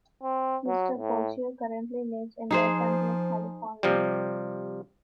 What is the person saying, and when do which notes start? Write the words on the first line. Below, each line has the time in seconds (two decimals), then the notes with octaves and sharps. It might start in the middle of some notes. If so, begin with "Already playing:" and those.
Mr. Pacheco currently lives in Los Angeles, California.
0.23 C4
0.67 F#3
0.98 A2
2.51 F3 D#4 G#4 C5
3.83 C3 F3 G3